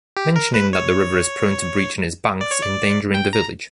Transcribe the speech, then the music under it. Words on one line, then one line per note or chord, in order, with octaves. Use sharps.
Mentioning that the river is prone to breaching its banks, endangering the village.
G4
A#4
B4
C#5
D5
C#5
D5
G5
A#5